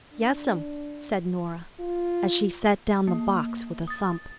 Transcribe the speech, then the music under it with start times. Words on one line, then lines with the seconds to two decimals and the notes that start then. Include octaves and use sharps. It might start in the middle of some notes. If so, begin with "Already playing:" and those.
"Yes'm," said Norah, as she set down the box with a thump.
0.13 D4
1.80 F4
3.07 A#3
3.87 D#6 A6